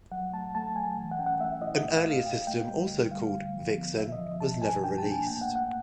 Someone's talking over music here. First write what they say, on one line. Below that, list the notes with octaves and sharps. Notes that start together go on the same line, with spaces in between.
An earlier system also called "Vixen" was never released.
F#3 F#5
A3 A5
A3 A5
F#3 G#5
E3
F#5
C#4 G5
F#5
A3 E5
E4 D#5
A2 D#5
F5
A3
A2 G5
A3 G5
G3
D3
G3 F5
D3
F3
B3
A2 E5
D#5
F3
B2 A5
B2 G#5
D4 G5
A5
A3
G#5
A#3 G5
F#5
A2
F#5